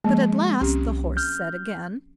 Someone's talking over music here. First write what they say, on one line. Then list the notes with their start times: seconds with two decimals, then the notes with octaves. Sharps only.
But at last, the Horse said again.
0.04 F3 G#3 A#3
0.61 C2 C4 C#4 G4
1.17 F6 G6